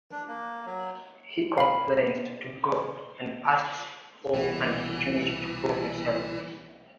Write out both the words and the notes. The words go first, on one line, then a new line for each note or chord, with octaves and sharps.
He complains to God and asks for an opportunity to prove himself.
D4
A#3
F#3
F5 B5
C2 B2 E3